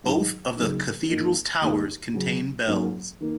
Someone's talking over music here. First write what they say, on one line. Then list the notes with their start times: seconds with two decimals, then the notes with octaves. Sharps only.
Both of the Cathedral's towers contain bells.
0.04 G#2 D#3 F#3 D#4
0.57 C#2 C#3 F#3 A#3 D#4
1.09 G#2 D#3 A#3 D#4
1.61 D#2 D#3 G#3 D#4
2.14 C#3 F#3 C#4
2.67 G#2 F#3 A#3 C#4
3.21 D#3 A#3